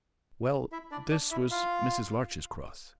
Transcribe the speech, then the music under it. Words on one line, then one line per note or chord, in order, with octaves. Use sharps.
Well, this was Mrs. Larch's cross.
E4 E5
D4 D5
D4 D5
E4 E5
F4 F5